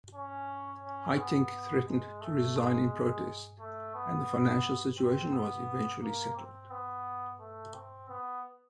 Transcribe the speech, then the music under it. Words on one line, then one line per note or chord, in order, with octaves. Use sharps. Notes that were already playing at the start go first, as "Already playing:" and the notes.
Haitink threatened to resign in protest, and the financial situation was eventually settled.
C#4
C#4
B3
G#3
A3
G#3
A3
B3
C4
B3
A#3
C4
B3
A3
C4
B3